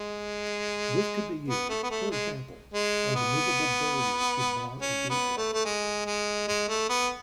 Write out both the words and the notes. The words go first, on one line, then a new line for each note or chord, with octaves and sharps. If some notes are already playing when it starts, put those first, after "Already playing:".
This could be used, for example, as a moveable barrier to bar a gateway.
Already playing: G#3
B3
A3
B3
A3
G#3
G#3
B3
C#4
B3
A3
A3
G#3
G#3
G#3
A3
B3